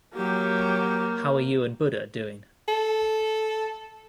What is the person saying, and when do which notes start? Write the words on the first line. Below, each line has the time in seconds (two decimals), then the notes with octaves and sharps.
How are you and Buddha doing?
0.16 F#3 A#3 G4
2.68 A4